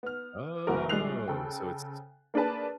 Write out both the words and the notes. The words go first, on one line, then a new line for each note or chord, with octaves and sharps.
Oh, so it's
B3 F6
F#1 C2 F#4 A#4
A#1 G3 G#3 F#6 C7 F7
C#3 A4 C5 G5
A#3 D4 G#4 B4 A5